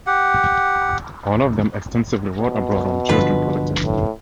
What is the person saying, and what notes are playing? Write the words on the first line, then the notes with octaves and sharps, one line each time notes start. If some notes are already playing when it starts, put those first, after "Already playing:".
All of them extensively wrote abroad on the Georgian politics.
G4 F#5
B2
G2 D3 F3 F4 B4
A2